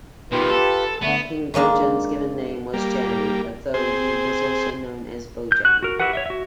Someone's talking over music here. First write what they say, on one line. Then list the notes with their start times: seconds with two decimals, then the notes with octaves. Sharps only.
King Bojang's given name was Jang, though he was also known as Bojang.
0.32 B2 D#3 F4 G4 B4
0.50 A4
1.02 D3 A3 B3
1.54 D#3 G#3 A#3 D4
2.73 G3 A#3
3.74 C4 G#4 C5
5.52 G6
5.65 F#4 F#6
5.83 F#4 A#4
6.00 E4 F#4 G4 B4 F#5
6.13 C#5 D#5 E5
6.26 F#4 E5